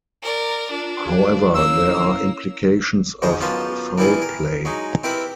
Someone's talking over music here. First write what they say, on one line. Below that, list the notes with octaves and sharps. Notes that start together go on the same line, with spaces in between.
However, there are implications of foul play.
A#4 D5
D4 F4
F#4 G#4 F5
A#3 C#4 E4 C#5 E6
D2 G#2 G#3 C5 A#5 D#6
F#2 B3 F4 C5 A5
E3 G3 B3 E4 G#4 A#4
A#4
F#3 G#3 D#4
C4 E4 G4 A#4 B4 B5